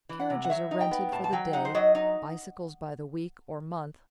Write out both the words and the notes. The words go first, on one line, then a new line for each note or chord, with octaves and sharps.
Carriages are rented for the day, bicycles by the week or month.
E3
F#5
C3
F#5
F#3 E5
D#4
G5
B3
A2 A5
A5
F#3 G5
D#4 F#5
C5
F#3 D#5
D#4